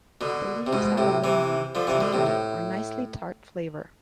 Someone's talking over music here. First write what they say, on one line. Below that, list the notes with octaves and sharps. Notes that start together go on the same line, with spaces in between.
The leaves have a lemony, tangy or nicely tart flavor.
B2 D3
C3
G#2 B2
A2 C3
C3 E3
D3 F3
C3 E3
B2 D3
A2 C3
A2